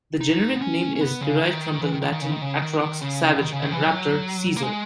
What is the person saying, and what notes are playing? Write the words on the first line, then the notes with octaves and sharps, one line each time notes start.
The generic name is derived from the Latin "atrox", "savage", and "raptor", "seizer".
D#4
B3
C#4
C#4
B3
C#3
D#3
E3
D#3
D#3
D#3
C#3
D#3
C#3
D#3
C#3
D#3
C#3
D#3
E3
F#3
A#3
G#3